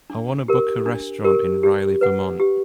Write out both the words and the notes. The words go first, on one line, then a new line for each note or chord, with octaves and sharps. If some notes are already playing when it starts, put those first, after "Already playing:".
I want to book a restaurant in Reily Vermont.
D4
G4 A#4
D4
G4 A#4
G4
B4 F#5
G4